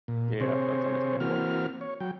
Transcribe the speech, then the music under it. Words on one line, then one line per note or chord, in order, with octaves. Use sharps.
Yeah, yeah, that's understandable.
A#2
C3 C4 G#4 C5 C#5
E3 A#3 C4 F#4 F6
C#5
F#3 G5